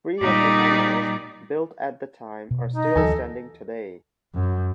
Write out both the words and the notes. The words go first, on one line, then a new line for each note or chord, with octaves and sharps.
Three of the hangars built at the time are still standing today.
A#2 G3 D#4 D5
B2
D#4 D#5
D2 E3 F#3 A4 G#5
F#2